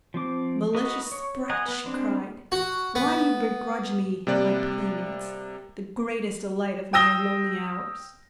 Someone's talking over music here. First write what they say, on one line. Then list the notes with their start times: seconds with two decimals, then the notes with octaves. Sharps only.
'Malicious Sprite,' she cried, 'why do you begrudge me my playmates --the greatest delight of my lonely hours?
0.14 F3 C4 D6
0.75 F#4 A#4 B4 D#5 A#5
1.12 C#5
1.50 D#5 F#5 G#5 A#5
1.66 B3 B4
1.85 G#3 C4 D4
2.52 F#4
2.95 B3
4.27 C3 G3 A#3 D5 F#6
6.93 G5 D#6 E6 A#6 G7